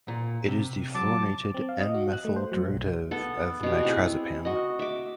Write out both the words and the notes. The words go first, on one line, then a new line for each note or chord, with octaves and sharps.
It is the fluorinated "N"-methyl derivative of nitrazepam.
A#2
C3
F#3 A5 D6
C4
F5
D#5
F#4
F#6
A3
C5
F#3
B1
B3 A4
B2 G4
C4 E4 G#4
F#4 D#5
E5 D6